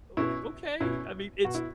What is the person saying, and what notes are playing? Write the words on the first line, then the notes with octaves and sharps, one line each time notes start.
o okay, I mean, it's,
B2 C#4 E4
B2 C#4 E4
B2 F#4
E4